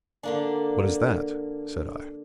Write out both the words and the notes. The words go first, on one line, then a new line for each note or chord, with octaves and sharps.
'What is that?' said I.
D3 A#3 D4